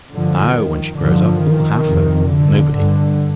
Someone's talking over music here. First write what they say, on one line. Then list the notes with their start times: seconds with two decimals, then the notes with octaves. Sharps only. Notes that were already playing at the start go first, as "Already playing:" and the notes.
Now, when she grows up, who'll have her? Nobody.
0.12 G2 D3 F3
0.55 D#3
0.99 G2 D3 F3
1.43 D#3
1.87 F2 C3
2.29 D3
2.73 G2 D3